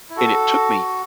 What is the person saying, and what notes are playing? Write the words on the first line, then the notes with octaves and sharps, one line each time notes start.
And it took me
E4
F#4 A4